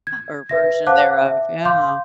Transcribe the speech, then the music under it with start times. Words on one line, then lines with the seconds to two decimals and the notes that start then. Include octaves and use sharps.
Or version thereof, yeah.
0.07 G#6
0.49 B4 E5 A#6
0.87 C5 F5 F#5 A5 D6 F#6
1.26 E5
1.65 F5 C6 D6 G6